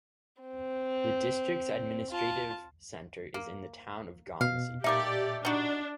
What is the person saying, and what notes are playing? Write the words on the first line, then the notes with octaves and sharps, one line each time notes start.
The district's administrative centre is the town of Ghanzi.
C4
F4 A5
A#3
B2 F5
A#2 A3 A#3 D#4 G4 D5 E5 D6
D4 D#4 F#4